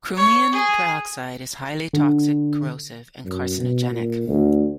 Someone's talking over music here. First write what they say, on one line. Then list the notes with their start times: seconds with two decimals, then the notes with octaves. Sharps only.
Chromium trioxide is highly toxic, corrosive, and carcinogenic.
0.17 C#5
0.53 G#4
1.93 D3
3.25 F#2
3.58 B2
3.91 A#2
4.27 D2